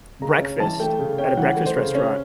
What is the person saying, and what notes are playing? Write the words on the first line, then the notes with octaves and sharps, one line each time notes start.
breakfast at a breakfast restaurant,
C#3 A#5
C#4
E3 A5
A3 G5
C#3
C#4 G5
E3 F#5
A3
C5
C#3
C#4